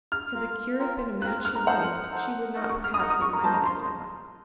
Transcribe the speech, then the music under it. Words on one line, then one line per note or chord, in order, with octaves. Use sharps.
Had the curate been a man she liked, she would not perhaps have minded it so much.
F6
F4 A#4 F5
C4 F4 A#4
C4 F4 A#4 F#6
F6
A#5
D#4 A4 C5 F#5
D#4 A4 C5
D#4 A#4 D#5 F#5
C#6
F6
D#6
D#4 A#4 D#5 F#5 F6
D#6
C#6
A#5
A#3 F4 C5 D#5 A5
A#5
C6